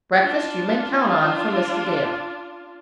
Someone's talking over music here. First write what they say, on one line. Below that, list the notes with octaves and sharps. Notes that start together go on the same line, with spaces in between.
Breakfast you may count on from Mr. Dale.
D4 F4